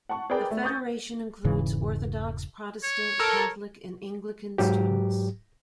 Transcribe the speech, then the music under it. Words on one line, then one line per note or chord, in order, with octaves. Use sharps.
The Federation includes Orthodox, Protestant, Catholic, and Anglican students.
F#5 A5 C#6
G#4 A#4 B4 D5 G5
A3
C#6 D#6 G6 A6
E1 G#2 C#3 E3
C#5
A4 A#4
G#2 F#3 G4